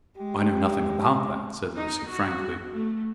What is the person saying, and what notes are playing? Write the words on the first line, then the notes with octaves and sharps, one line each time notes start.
"I know nothing about that," said Lucy, frankly.
G#3 G4
D#4
F#4
A3